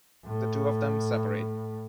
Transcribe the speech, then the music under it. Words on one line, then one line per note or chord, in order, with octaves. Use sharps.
The two of them separate.
A2